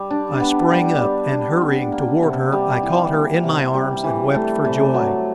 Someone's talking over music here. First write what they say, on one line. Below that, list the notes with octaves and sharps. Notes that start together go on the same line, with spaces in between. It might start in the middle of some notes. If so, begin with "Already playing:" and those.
I sprang up, and, hurrying toward her, I caught her in my arms and wept for joy.
Already playing: G3
D4
B3
G3
G3
D4
B3
A#3
C3
G3
E3
A#3
C3
G3
E3
A3
C3
F#3